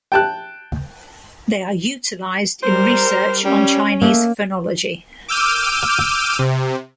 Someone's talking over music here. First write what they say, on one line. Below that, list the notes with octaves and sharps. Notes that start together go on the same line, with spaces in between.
They are utilized in research on Chinese phonology.
G5 A5 F#6
G3 A#4 C5
G3 C#4
A3 A#3
D6 E6 F6 G6 D#7
C3